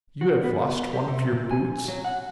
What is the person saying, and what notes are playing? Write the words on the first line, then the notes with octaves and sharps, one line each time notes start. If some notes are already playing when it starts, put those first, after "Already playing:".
"You have lost one of your boots?"
F#4
B3
G4
C3
A#2
G#5
F#3
F#5